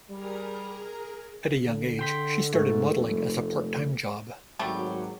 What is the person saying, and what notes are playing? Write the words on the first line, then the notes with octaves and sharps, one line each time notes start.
At a young age, she started modelling as a part-time job.
G3 G#4 A#4 A#5
D3
G5 C6 B6
G#2 A3
F1
G#1 F#3 G3 A3 G4